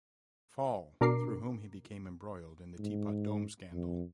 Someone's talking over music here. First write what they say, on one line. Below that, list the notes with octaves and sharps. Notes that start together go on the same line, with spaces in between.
Fall, through whom he became embroiled in the Teapot Dome scandal.
B2 D4 A#4 A#5 D6 C7
G#2
F2